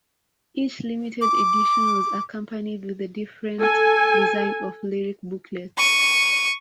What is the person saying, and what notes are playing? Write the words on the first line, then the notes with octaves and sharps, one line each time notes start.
Each limited edition was accompanied with the different design of lyric booklets.
D6
A4 G#5
C#6 D#7